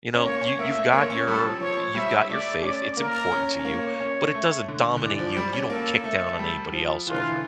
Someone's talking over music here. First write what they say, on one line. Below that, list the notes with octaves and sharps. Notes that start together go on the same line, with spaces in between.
You know, you you've got your you've got your faith, it's important to you, but it doesn't dominate you and you don't kick down on anybody else over it.
C#4
A#3 C#5
C#4
A#3 E5
A3
A#3 C#5
C#4
G3 A4
F3
F3 C#5
G3 E5
A3 D5
C#4 D5
A#3 A#4
C#4
C#4
A#3 C#5
C#4
A3
D3
D3
E3 D5
F3
G3
C#4
A#3 A4
A3
G3
F3
E3 F4
D3
E3